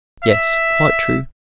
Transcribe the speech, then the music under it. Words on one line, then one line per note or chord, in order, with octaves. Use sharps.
"Yes, quite true."
E5